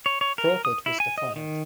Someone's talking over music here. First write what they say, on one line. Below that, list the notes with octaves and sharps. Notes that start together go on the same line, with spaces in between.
Crawford was defiant.
C#5
C#5
A#4
D#6
E4
G#5
D#5
D#3